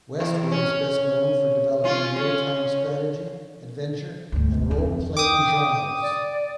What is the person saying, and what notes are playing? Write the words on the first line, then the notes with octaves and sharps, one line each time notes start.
Westwood is best known for developing real-time strategy, adventure and role-playing genres.
E2
C#4
C#4 F4
C#4
D2 G#2
F2
G5 D6 D#6
D5